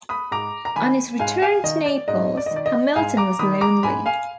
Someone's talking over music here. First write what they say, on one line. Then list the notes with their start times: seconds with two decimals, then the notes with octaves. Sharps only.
On his return to Naples, Hamilton was lonely.
0.09 B5 D#6
0.31 G#2 A#5 D6
0.65 A#5
0.76 D#3 G#5 B5
1.19 G#2 F5 G#5
1.42 F5 G#5
1.64 D#3 D#5
1.86 D5
2.08 G#2 D#5
2.37 D5
2.46 D#5
2.51 D#3
2.56 D5
2.66 D#5
2.96 G#2 F5 G#5
3.17 A#5 D6
3.39 D#3 B5 D#6
3.61 A#5 D6
3.83 G#2 G#5 B5
4.06 F5 G#5